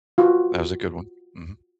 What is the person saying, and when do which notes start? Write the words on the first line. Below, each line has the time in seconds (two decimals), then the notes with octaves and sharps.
That was a good one. Mhm.
0.18 F4 F#4